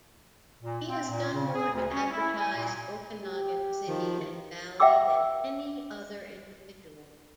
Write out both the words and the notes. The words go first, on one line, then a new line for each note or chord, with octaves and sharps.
He has done more to advertise Okanogan city and valley than any other individual.
A#2
C4
A#2
C#3
G#4
D2
C#4
E4
G#5
A#2
G4
D#3 F3
E5 F#5 G5 D6 E6